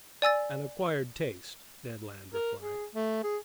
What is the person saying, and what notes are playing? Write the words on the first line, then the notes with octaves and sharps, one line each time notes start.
"An acquired taste," Ned Land replied.
D5 G#5 E6 A6
A#4
G#4
A3
G#4